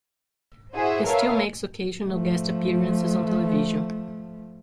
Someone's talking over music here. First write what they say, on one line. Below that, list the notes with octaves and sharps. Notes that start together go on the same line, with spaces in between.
He still makes occasional guest appearances on television.
E4 F#4 G#4 C5 E5 F#5
A#4 B4 C#5 E5 F5 A5
F3 A3